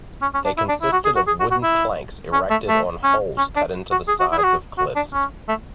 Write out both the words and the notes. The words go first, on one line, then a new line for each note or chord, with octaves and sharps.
They consisted of wooden planks erected on holes cut into the sides of cliffs.
C#4
C#4
D4
E4
D4
E4
F#4
G#4
F#4
G#4
F#4
F#4
E4
C#4
A3
A3
C#4
C#4
D4
F#4
G#4
F#4
E4
G#4
F#4
F#4
D4
C#4
A3